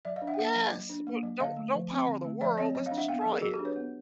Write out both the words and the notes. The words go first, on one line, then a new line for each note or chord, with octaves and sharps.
yes, w don't don't power the world, let's destroy it,
F#3 D5 E5
D#5 F5
D4
E5 F#5
G5
A#3 E5 F#5
F#3
F#3
D4
A#3
F#3
D3 D#5 F5
A3
F3
C4
D3
A3
F3 D5 E5
C4 C#5 D#5
F#3 C#5 D#5
D#5 F5
D4
E5 F#5
B3 F5 G5
F#3 A4
G#4 A#4
F#3 F#4 G#4
G4 A4
D4
B4 C#5
B3